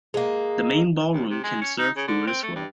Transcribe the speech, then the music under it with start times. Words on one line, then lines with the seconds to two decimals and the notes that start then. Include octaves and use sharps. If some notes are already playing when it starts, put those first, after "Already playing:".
The main ballroom can serve food as well.
0.14 G#3 A#3
1.13 D#2
1.30 C3
1.44 G#3
1.61 C#4
1.78 D#4
1.97 C#3
2.08 D3
2.27 C4
2.43 A3
2.56 G2